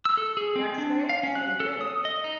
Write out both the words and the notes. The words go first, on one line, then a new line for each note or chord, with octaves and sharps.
Next day, same thing.
E6
A4
G#4
C4
D4
F5
C#4
F#6
A4
D#6
D#5
D#4